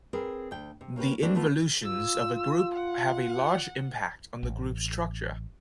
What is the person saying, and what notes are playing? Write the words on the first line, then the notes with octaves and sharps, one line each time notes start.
The involutions of a group have a large impact on the group's structure.
C4 G#4 A#4 B4
D2 G5
C3
A#3 C#4 G4 B4
E3 G3 A3 A#3 C4 D4
E3 A3 B3 F4
F4 E6
F#5
A1